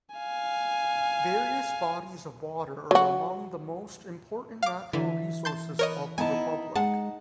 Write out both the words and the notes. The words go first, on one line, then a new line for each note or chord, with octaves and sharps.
Various bodies of water are among the most important natural resources of the Republic.
F5 G#5
F#3 F#4
F5 D6
D3 E3 E5
A5 C6 G6
B3 A#4 C#5 D#5
B3 D#4 E4 G#5 A5
G#3 F#5 A5